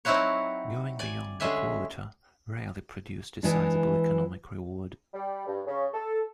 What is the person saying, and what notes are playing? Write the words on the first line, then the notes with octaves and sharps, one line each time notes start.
Going beyond the quota rarely produced a sizeable economic reward.
F#3 C4 D#4 E4 F#4 C#5
D5 G#5
D3 G3 G#3 C#4 E5 G#5
E3 G#3 D4
G3
G2
C#3
A4